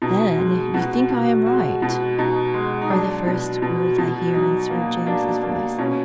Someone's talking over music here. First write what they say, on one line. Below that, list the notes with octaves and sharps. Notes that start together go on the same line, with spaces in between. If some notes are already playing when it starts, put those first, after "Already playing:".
"Then you think I am right?" are the first words I hear, in Sir James's voice.
B2 D#4
G#3
B2 F#4
B2
G#3 F#4
B2
B2 D#4
G#3
D#4
F#3 D4
B2
B2
B2
F#3 D#4
A#3
A#3 D4
A#3
B2 C#4